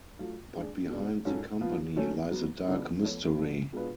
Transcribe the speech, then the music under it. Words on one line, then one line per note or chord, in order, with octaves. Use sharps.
But behind the company lies a dark mystery.
F#3 A3 F4
G#3 D4 G#4
B2 G#3 D4
G#2 F#3 C#4 F4 A4
F3 B3 F4
F#3 A3 C#4
F#3 B3 F#4
C#3 F#3 B3 D4 F4
F3 B3 F4 A4 C#5
A2 F3 A3 D4
B2 G#3 D4 F4 B4